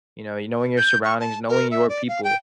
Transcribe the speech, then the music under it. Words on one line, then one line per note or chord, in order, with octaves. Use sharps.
you know, y knowing your surroundings, knowing your people,
G6
C#6
A5
A#4
E5
D5
F5
G5